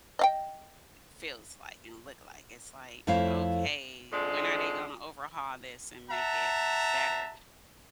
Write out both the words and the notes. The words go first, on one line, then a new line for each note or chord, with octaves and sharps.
feels like and look like. It's like, "Okay, when are they gonna overhaul this and make it better?"
D#5 F5 G5
F2 A3 E4 C5 C#5 F5
F2 D3 G#3 D4
E5 F#5 A5 A#5